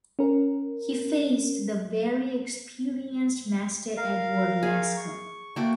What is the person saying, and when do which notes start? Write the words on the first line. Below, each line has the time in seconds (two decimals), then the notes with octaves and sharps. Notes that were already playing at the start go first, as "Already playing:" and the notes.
He faced the very experienced master Edward Lasker.
0.19 C#4 A#4
3.97 A#4 F5
4.63 G#4
4.97 C#6
5.56 A3 A#3 F#4 A4 G5